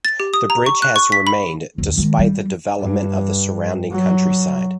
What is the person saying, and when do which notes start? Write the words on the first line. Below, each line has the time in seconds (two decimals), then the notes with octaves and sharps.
The bridge has remained despite the development of the surrounding countryside.
0.05 A6
0.20 G4
0.34 D#6
0.50 A#5
0.66 C#6
0.82 F#6
0.96 C#6
1.12 B6
1.27 B5
1.78 F1 D#2
1.97 D#3 G#3
2.19 G3
2.80 G2
3.92 F#3